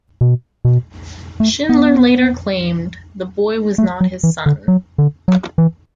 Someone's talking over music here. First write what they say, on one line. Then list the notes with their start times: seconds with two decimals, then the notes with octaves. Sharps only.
Schindler later claimed the boy was not his son.
0.21 B2
0.65 B2
1.40 A3
1.69 B3
3.78 A3
4.01 F#3
4.23 E3
4.46 D3
4.68 F#3
4.98 D3
5.28 F#3
5.58 E3